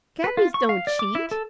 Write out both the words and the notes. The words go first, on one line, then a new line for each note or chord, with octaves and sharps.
"Cabbies don't cheat."
B4
F4
C#6
F5
D5
D6
E4
A4